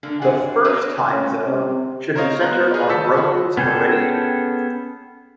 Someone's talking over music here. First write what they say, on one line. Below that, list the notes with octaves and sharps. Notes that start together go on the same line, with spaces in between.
The first time zone should be centred on Rome's meridian.
D3 A#3 D4
G2 F#3 G#4 D5 F#5
B3 D4 F#4 G#4 B4 C#5
C#4
C3
A#4 C5 C#5 D#5 F5
B3 A#5 F#6
G#4 B4 C#5 D#5 G#5
A5 E6 G6 A6 B6 C#7
F#4 G#4
B3 C#4 G#4 A4 G5